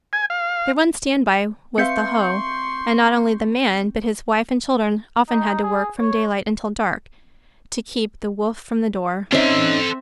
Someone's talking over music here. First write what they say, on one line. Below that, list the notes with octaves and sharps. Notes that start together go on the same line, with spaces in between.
Their one standby was the hoe and not only the man but his wife and children often had to work from daylight until dark to keep the wolf from the door.
G#5
F5
C4 B4 E5 F5 C6 C#6 G6 C#7
D#4
G#4
C#5
C4 C#4 D#4 A4 E5 C6